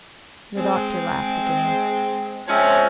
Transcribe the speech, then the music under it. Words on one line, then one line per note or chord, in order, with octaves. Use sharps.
The doctor laughed again.
G#3 C4
F3 G#3 C4 C#4 C#5 E5